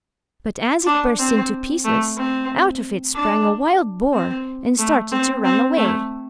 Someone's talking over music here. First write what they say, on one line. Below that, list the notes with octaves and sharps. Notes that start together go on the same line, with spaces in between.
But as it burst into pieces, out of it sprang a wild boar, and started to run away.
D4
C4
A3
C4
D4
C4
A3
C4
C4
A3